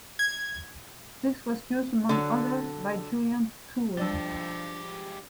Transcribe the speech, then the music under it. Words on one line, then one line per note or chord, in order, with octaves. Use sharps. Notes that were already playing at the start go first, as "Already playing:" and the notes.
This was used among others by Julian Tuwim.
G#6
D3 F#3
G2 F3 G#3 D4 G4 D5 E6 A6